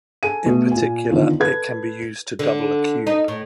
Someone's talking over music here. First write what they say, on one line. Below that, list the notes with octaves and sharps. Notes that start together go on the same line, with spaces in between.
In particular, it can be used to double a cube.
A4 G#5 D#7
B2 A3
A#2 G#5
D3 D#3 F3 B3
A4 B4 G#6
D3
D#4
A2